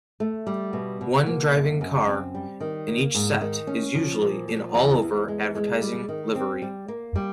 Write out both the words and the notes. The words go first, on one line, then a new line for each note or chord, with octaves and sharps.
One driving car in each set is usually in all-over advertising livery.
A3
G3
B2
B2
A#3
F#2
F#2
C4
G3
D#3
A#3
G#2
D#3
C#4
F3
A#2
F3
E2
E2
G#3
G#3
G3
D#3
C4
G3
A#3
G3